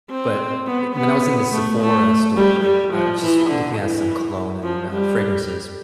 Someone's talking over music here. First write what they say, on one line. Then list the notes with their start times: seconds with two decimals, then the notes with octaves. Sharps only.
but, eh, when I was in the Sephora store, uh, just looking at some cologne and, uh, fragrances,
0.10 C4
0.67 B3
0.95 B3
1.52 A3
1.80 A3
2.36 G3
2.64 G3
2.93 F3
3.21 E3
3.50 D3
3.78 E3
4.63 F3
4.91 G3